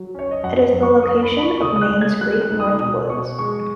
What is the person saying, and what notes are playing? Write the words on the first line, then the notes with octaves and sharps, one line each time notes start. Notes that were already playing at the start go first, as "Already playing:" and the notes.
It is the location of Maine's Great North Woods.
Already playing: F#3
C#4 C#5
D#5
F#2 F#5
F#2
C#6
B3 D#6
B5
D#4
B5
C#6
C#6
C#3 D#6
D#6
F#6
C#3
G#6
F#3 F#6
F#6
D#4
D#6
B2 D#6
B2 C#6
G#3 C#6